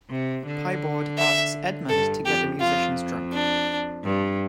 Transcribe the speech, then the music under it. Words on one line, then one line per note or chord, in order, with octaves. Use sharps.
Pieboard asks Edmond to get the musicians drunk.
C3
D3
E5
G2 A4
F2 G4
F2 F4
D4
G2